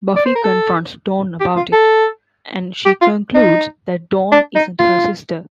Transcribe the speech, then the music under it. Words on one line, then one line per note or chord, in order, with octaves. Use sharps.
Buffy confronts Dawn about it, and she concludes that Dawn isn't her sister.
D5
C5
A#4
A4
G4
F4
A4
G4
F4
D#4
D4
D#4
F4